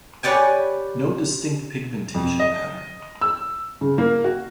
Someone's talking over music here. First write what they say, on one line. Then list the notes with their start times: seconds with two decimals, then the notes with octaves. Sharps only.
No distinct pigmentation pattern.
0.23 G4 B4 C#5 D5 G5 G#5
2.14 F2
2.40 D#5
3.21 E6
3.81 C#3
3.98 A#3
4.24 F#4